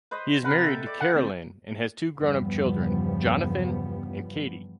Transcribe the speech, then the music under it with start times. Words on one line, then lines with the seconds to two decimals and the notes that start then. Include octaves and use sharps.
He is married to Carolyn and has two grown up children, Jonathan and Katie.
0.11 B4 C5 D#5
0.44 C3 A#4 B4 F#5
0.64 A4 E5 G5
0.86 D5
1.00 F5 F#5
1.14 D2 C4
2.17 E2 G2 C#3 F3 G3 B3